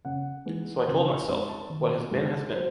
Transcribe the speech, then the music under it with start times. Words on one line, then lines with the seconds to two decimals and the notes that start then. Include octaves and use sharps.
So I told myself: what has been has been.
0.05 C#3 F#5
0.46 E3 G#3 D#4
0.87 C#3 C6
1.08 C#6
1.29 G#3 C4 D#4 C6
1.49 A5
1.70 D#3
2.11 G#3 D#4
2.52 F#3 C5